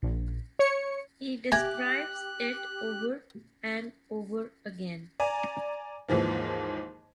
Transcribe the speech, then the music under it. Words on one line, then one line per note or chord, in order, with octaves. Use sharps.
He describes it over and over again.
A#1
C#5 C#7
G4 E5 G#5 F#6 G#6
D5 G#5 A#5
D#2 G#2 E3 F3 A#3